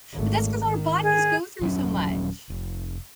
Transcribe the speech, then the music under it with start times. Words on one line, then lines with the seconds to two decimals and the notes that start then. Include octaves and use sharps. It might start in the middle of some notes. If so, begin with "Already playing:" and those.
but that's 'cause our bodies go through so much.
0.13 G#1 A3
0.66 D#3
1.02 G#4
1.61 D#1 F#3 C#4
2.50 F1